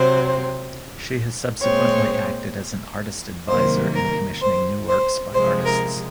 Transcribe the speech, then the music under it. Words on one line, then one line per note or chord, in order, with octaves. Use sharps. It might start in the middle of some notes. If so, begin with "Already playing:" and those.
She has subsequently acted as an artist advisor in commissioning new works by artists.
Already playing: C3 F#3 C4 C5
A#2 G#3 C4 C#5
C3 D#3 F#3 A#3 C5
A#4
C5
C5
C3 F3 G#3 C5
A#4